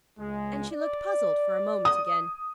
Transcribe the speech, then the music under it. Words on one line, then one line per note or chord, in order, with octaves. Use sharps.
And she looked puzzled for a moment again.
C#2 G#3
D5
D#6